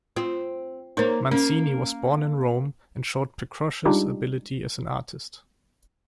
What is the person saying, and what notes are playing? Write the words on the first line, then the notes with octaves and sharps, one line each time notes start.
Mancini was born in Rome and showed precocious ability as an artist.
C4 F4
A#3 D#4 A#4 C5 C#5
A#3 C#4
G3 G#3 D4 D#4 F4 G4